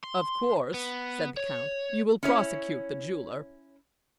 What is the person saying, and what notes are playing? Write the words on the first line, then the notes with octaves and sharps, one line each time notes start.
"Of course," said the Count, "you will prosecute the jeweler."
C6
B3
C#5
C#4 E4 C#5